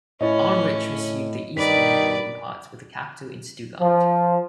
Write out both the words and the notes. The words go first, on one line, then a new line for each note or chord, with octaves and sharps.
Ulrich received the eastern and northern parts with the capital in Stuttgart.
A2 C#4 E4 C#5 D#5
G2 D#3 B4 D5 B6
F3